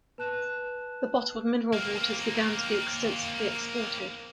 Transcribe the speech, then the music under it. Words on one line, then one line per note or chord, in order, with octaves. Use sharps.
The bottled mineral waters began to be extensively exported.
B4 A5 F#6 E7
A#3 C4